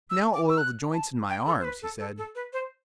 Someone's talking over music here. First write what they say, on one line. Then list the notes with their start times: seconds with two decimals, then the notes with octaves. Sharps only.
"Now oil the joints in my arms," he said.
0.10 E6
0.34 D6
0.49 E6
0.58 F#6
0.93 A5
1.29 G5
1.47 A4
1.59 C5
1.64 B4
1.82 A4
1.99 A4
2.18 A4
2.35 B4
2.53 C5